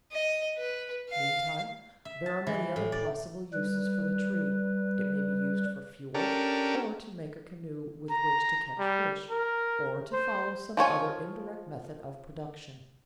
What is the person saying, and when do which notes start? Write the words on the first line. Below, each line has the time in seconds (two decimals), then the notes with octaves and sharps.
Meantime, there are many other possible uses for the tree: it may be used for fuel, or to make a canoe with which to catch fish, or to follow some other indirect method of production.
0.12 D#5
0.58 B4
1.09 F5
2.05 E5
2.26 A5
2.47 E3
2.76 A2
2.92 D5
3.53 G3 B4
6.15 C#4 D4 G4 A4 A#4
8.10 A#5
8.79 G3
9.31 A#4
10.13 C5
10.77 F3 F4 C#5 G#5